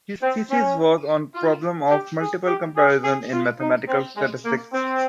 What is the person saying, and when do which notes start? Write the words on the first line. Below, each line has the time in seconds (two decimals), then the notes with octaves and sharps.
His thesis was on a problem of multiple comparisons in mathematical statistics.
0.22 C4
0.50 C#4
1.35 F4
1.91 G4
2.20 G#4
2.47 G4
2.76 G#4
3.04 G#4
3.32 F4
3.60 D#4
3.88 C4
4.16 G#3
4.45 A#3
4.73 C4